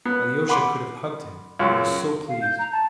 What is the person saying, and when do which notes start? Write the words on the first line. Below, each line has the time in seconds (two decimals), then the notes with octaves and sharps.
Alyosha could have hugged him, he was so pleased.
0.05 B3
0.49 F#5 B5 C6 D6
1.59 C#2 F#2
2.28 F5
2.42 G6
2.59 A#5
2.72 A5